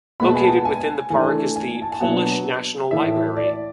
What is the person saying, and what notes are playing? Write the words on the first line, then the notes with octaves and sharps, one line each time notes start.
Located within the park is the Polish National Library.
B2 G#3 B3 B5
A5
G#5
A5
G#5
E3 A3 D4 G#5
G#5
A5
G#5
B2 F#3 B3 D4 F#5
A2 E3 A3 E5
D5